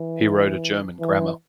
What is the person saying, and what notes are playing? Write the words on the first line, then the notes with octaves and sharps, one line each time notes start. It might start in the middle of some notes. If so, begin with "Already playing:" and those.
He wrote a German grammar.
Already playing: E3
E3